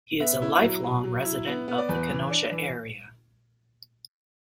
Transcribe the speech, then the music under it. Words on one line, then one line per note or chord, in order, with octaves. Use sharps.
He is a lifelong resident of the Kenosha area.
B3 E5
E4
F#3
F#3
F#3
E4
B3
B3
D5
E2 B4
E3
D4
E3